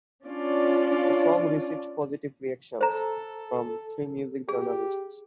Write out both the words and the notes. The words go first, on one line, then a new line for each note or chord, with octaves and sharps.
The song received positive reactions from three music journalists.
C#4 D4 F4 D5
A4 C5 A#5
G4 G#4